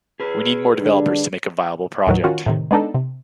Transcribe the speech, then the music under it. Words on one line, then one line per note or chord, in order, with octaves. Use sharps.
We need more developers to make a viable project.
G#4 B4
D3 G3 D4
D#2 A2 D#3 E3 F#3
D#3 C#4 F4 F#4
A2 C3 D#3
G#3 B3 D4 D#4 A4
C3